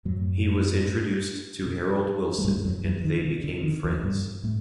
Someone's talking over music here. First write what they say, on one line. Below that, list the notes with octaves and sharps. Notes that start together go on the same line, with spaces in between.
He was introduced to Harold Wilson and they became friends.
F#2 A2 F#3
A2
B2
G#3
G2 B2 G3
F#2 F#3
F#2 F#3
D#3
B2 D#3
D3
D#3
E2 E3
G2 B2 G3
A2 A3